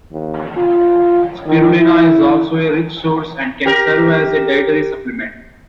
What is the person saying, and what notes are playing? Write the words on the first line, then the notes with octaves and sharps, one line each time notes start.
Spirulina is also a rich source and can serve as a dietary supplement.
D#2
F4
D#3
E4
G4 A#4